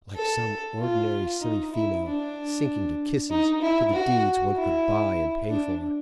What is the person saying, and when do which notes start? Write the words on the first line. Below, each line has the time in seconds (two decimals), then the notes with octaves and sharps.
Like some ordinary silly female, sinking to kisses, to the deeds one could buy and pay for.
0.15 A4
0.79 F4
1.41 D#4
1.73 E4
2.05 D4
3.30 D#4
3.61 E4
3.93 F#4
4.55 E4
5.49 D4